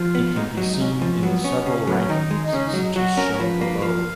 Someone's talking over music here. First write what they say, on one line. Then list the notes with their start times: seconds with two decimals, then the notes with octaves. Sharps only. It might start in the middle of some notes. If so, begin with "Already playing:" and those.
It can be seen in the several rankings such as shown below.
Already playing: F3 F4
0.15 B3
0.36 G#2 D#4
0.57 F#3
0.73 D#4
0.80 G#2 C#4
1.02 F3
1.23 F#3 B3
1.44 C#4
1.66 C#3 C#4
1.87 F#3 B3
2.00 C#4
2.09 D#3 D#4
2.31 G#3
2.47 D#4
2.53 C#3 C#4
2.67 D#4
2.74 F#3
2.96 F#3 F#4
3.17 C#4 A#4
3.34 C#5
3.40 F3 B4
3.61 A#3
3.82 F3 F5